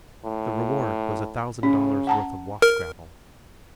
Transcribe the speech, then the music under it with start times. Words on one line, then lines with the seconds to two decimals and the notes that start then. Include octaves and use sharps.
The reward was a thousand dollars' worth of wash-gravel.
0.24 A2
1.63 C#3 C#4
2.07 F#5 A5 A#5
2.62 A#4